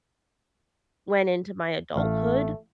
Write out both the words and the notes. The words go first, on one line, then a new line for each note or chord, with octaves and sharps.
went into my adulthood.
A1 A3 F5